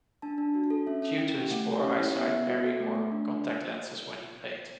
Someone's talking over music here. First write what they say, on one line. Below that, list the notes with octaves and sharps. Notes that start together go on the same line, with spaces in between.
Due to his poor eyesight, Berry wore contact lenses when he played.
D4 A5
D4
F#4
A4
C#4 E5
C#4
E4 G5
G4
A3 F#5
G4
C#5
C#4
C#5
E4
B3 E5
B3
F#4
A4
A3
A3
D4